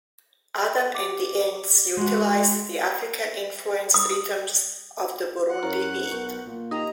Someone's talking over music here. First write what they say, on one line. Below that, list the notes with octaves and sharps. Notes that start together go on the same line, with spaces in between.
Adam and the Ants utilised the African influenced rhythms of the "Burundi beat".
G4 D6
G#3 F#4
D#6
F#5
F#2 E4 A#4 C#5 C#6
B1 C#6 G6
A#2
D#4 G4 D#5 G5 A#5